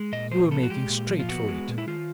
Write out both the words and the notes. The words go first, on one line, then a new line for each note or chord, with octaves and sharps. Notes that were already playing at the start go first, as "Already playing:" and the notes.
You were making straight for it.
Already playing: G#3
A#2 D#5
F3 C5
B3 A4
F#4
G#3 G4
A#2
F3
F4
B3 F#4
G#3
A#2
E4
D#3 F4